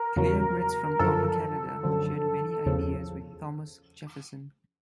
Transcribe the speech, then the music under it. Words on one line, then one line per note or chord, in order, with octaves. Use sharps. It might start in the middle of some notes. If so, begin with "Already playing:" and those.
Clear Grits from Upper Canada shared many ideas with Thomas Jefferson.
Already playing: A#4
E2 C#3 F#3
F#2 D3 F3 A4
F#2 D3 F3
E2 C#3 F3